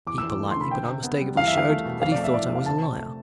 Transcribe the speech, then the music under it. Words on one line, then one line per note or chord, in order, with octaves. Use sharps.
He politely but unmistakably showed that he thought I was a liar.
E2 D6
E6
E2
D6
A3
C6
D3 B5
C3 G5
C3
B3
G3
E2 F5
E5
E2 F5
A3
B2
F2 F5
D5
A3
E5
E3 D5
C3
F5
C3 A5
C3
A3